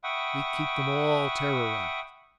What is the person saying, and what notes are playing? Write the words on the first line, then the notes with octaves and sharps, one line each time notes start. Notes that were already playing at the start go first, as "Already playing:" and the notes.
We keep them all terrorized.
E5 F#5 G5 B5 C#6 D#6